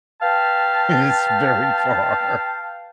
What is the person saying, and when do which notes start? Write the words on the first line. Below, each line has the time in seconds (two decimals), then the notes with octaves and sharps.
is very far.
0.21 B4 F5 G5 A5